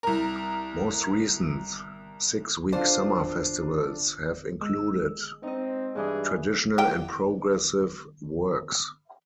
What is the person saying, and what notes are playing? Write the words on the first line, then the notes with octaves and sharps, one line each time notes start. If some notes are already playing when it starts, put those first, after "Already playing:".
Most recent six-week summer festivals have included traditional and progressive works.
C2 A#4
D4 F4 C5
G#3 E6
C4 D#4 D#5
G2 E3 G#4
E3 G4 G5